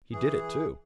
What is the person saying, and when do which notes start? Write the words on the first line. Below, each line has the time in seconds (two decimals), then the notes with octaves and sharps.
He did it too.
0.12 E3 G#4